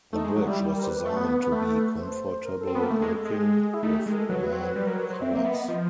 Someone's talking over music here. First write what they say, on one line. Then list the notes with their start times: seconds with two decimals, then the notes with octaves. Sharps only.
The bridge was designed to be comfortable-looking, with warm colors.
0.12 A3 D#4
0.24 G#3
0.28 D#4
0.36 F#3
0.44 G3 E4
0.75 A#4
0.84 C5
0.90 B4
1.05 A3
1.16 B3
1.29 B3
1.40 B3
1.52 A3
1.98 C5
2.44 A#4
2.59 A4
2.67 C4
2.75 B3 A4
2.83 A#3
2.90 A3 A4
3.02 G#3
3.25 G#3
3.31 G4
3.37 G#4
3.74 E4
3.83 A3 D#4
3.94 G4
4.06 G#3 G#4
4.13 A#4
4.18 A4
4.29 F#3 B4
4.41 B4
4.52 F#3 C5
4.64 B4
4.76 G3 B4
4.87 F#3 A#4
4.99 F#3 B4
5.10 F#3 C5
5.22 C4 E5
5.34 A#3 E5
5.45 B3
5.53 D#5
5.68 F3 D#5